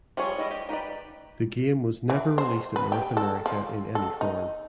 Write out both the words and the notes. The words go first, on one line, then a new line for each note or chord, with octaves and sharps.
The game was never released in North America in any form.
F3 G3 G#4 C#5
G3 E4 D#5
G4
D#4 G4 B4 D5
E3
C5
B4
G4
A4
F3
A4
D#4